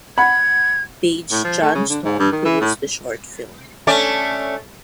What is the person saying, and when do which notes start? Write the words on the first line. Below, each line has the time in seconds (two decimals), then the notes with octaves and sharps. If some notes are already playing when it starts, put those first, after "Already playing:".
Paige Johnstone produced the short film.
0.18 F#5 B5 G#6
1.31 A2
1.44 F3
1.62 A3
1.75 C#3
1.89 D3
2.05 G#2
2.19 G2
2.32 D#3
2.45 E3
2.61 A2
3.87 A3 C#4 D5